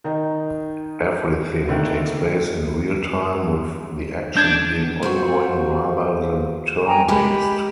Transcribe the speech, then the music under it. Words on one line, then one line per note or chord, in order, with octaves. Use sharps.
Everything takes place in real-time with the action being ongoing rather than turn-based.
D#3 D#4
F1 D3 D#3 A3 A#3
D4 G6 G#6
C4 F4 F#4
G5 G#5 A#5
G#3 G4 B5